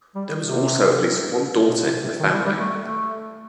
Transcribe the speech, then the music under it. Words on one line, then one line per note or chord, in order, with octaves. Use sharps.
There was also at least one daughter in the family.
G3
C3
B2
C3
C3
D#3
G3
G3
A3
A3